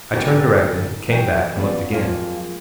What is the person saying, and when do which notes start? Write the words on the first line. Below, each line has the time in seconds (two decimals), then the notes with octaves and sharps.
I turned directly, came back, and looked again.
0.14 G#2 D3 B3 F#4 G4 A#4 A6
1.10 E3 F#3 F#5 G5
1.57 B3 C#4 F4 D5
1.91 F2 F3 F#3 G#3 A#3 F4